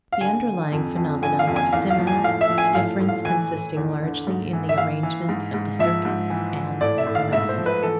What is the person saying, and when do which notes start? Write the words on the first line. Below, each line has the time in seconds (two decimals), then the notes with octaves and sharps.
The underlying phenomena were similar, the difference consisting largely in the arrangement of the circuits and apparatus.
0.12 F5
0.21 D3 G#5
0.46 D3
0.72 F2
0.96 F2
1.22 F2 G#5
1.39 F5
1.47 F2
1.56 G#5
1.73 E2 F5
1.90 F5
1.98 F3
2.07 G#5
2.24 A2 F5
2.41 E5
2.49 F3
2.58 G#5
2.74 A2 F5
3.00 A2
3.08 F5
3.25 E3 G#5
3.51 A2
3.77 E2
4.02 D3
4.27 G#2
4.53 E3
4.69 E5
4.78 E3 F5
5.03 E3
5.29 G#2
5.54 G#2
5.79 F3 E5
6.05 G#2
6.30 E3
6.55 E3
6.81 A2 D5
6.98 E5
7.07 A2
7.15 F5
7.32 G#2 E5
7.49 C5
7.58 F3
7.66 B4
7.83 E3 A4